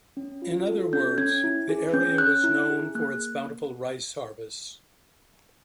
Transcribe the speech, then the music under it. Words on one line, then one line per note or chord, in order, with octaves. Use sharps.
In other words, the area was known for its bountiful rice harvests.
C#4
F4
A4
C#4 G6
C#4 G#6
E4
G#4
C#4 G6
C#4 F#6
E4
G#4
A#3 F#6